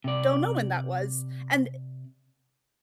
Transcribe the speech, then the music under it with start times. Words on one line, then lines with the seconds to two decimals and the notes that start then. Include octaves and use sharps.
don't know when that was, and,
0.04 C3 D5